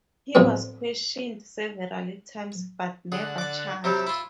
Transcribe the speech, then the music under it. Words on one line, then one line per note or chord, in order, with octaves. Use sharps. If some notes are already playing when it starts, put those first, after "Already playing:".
He was questioned several times but never charged.
D2 A2 C3 F3 B3 C4
D3 G#4 F#5
D5 D6
C3 F#3 G3 E5
E4 F4